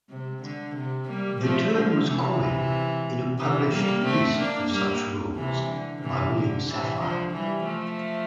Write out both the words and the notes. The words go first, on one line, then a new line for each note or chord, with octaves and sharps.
The term was coined in a published list of such rules by William Safire.
C3
D3
C3
G3 A#3
F3 A3
D3 F3
C3 E3
C3 E3
G3 A#3
A3 C4
A#3 D4
G3 A#3
C3 E3
D3
C3 E3
D3
C3 E3
D3 F3
E3 G3
F3 A3